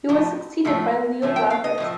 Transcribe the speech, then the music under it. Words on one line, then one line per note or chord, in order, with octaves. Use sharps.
He was succeeded by Leo Lambert.
A2 F3
A2 F3 A3
A2 F3 A3
G5
F5
D#5
A2 F3 A3